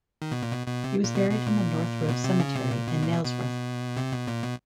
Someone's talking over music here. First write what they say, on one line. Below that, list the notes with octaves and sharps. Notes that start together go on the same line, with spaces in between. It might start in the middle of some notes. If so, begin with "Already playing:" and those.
He was buried in the North Road Cemetery in Nailsworth.
D#3
B2
A#2
B2
B2
C3
A#2
B2
B2
A#2
B2
C3
C#3
C3
A#2
B2
A#2
B2
B2
C3
B2
A#2
B2